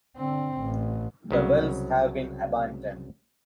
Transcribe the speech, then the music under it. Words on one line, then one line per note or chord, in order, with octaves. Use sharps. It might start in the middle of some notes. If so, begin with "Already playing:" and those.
The wells have been abandoned.
D3 C4
A1
C2 C#3 F#3